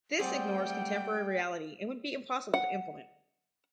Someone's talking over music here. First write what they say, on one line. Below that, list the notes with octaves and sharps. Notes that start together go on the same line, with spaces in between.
This ignores contemporary reality and would be impossible to implement.
G3 A3 C4 G#4 D5 F#5 G5
F#5